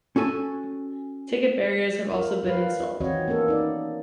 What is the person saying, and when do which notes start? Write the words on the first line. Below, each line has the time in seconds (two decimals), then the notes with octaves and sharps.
Ticket barriers have also been installed.
0.16 C#4 F#4 A4 G#5
2.12 F4 A#4
2.43 G3 F4 B4 F5
2.80 F4
3.00 D#3 E3 C4 F#4 C#5 D#5
3.28 A#3 B3 C#4 A4 A#4
3.48 D#4 D5